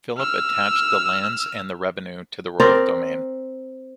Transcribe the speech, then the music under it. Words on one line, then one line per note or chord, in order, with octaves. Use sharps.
Philip attached the lands and their revenues to the royal domain.
E6 F6
C4 A#4 D5